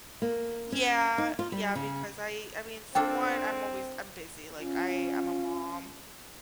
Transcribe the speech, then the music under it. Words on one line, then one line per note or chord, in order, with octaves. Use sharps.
Yeah. Yeah, because I I mean, for one, I'm always I'm busy. Like, I I'm a mom,
A#3
C#4
D#4
F4
G3
C#3
C4 D4 F4 A4 G5
C#4 F4